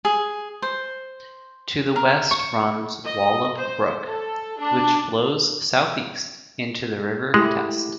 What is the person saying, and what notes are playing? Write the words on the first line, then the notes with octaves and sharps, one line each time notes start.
To the west runs Wallop Brook which flows south east into the River Test.
G#4
C5
A#4
C#6
D#5
C5
A4
D4
G#3 A3 E4 G4